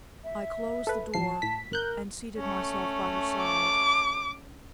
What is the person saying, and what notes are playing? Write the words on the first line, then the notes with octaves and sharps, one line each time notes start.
I closed the door and seated myself by her side.
E5
A4 B4
A1 F3 A5 C7
A2 B6
G1 A#4 F#6 G6
A3 C#4
D6